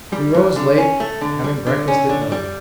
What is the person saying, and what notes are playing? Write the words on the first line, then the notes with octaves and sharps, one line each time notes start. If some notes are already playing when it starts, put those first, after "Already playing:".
We rose late, having breakfast at nine.
G3
G2
D3
C#4
A3
D3
G3
D3
C#4
D3
G3